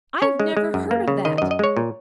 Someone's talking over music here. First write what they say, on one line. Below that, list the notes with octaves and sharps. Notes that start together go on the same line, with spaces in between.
I've never heard of that.
C#4 C#5
G#3
G#3
F#2
A#3
C#3
D#3 D#5
F#2 D#5
D#5
G#3 C#5
A#2